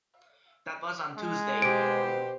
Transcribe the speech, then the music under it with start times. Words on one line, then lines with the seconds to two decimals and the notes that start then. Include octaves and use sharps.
That was on Tuesday.
1.18 G#3
1.62 B2 G4 C5 D7